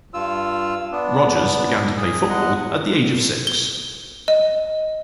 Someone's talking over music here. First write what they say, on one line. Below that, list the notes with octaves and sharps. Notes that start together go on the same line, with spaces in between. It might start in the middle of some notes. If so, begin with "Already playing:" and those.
Rogers began to play football at the age of six.
G2 F4 E6
B3 D4
G#4
E2 G#3 D#5 F#5
G7
D#5